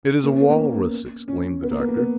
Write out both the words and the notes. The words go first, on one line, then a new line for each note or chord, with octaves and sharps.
"It is a walrus!" exclaimed the Doctor.
A#3
C#4
B3
A#3
C#4
C#4
B3
A#3
B3
A#3
B3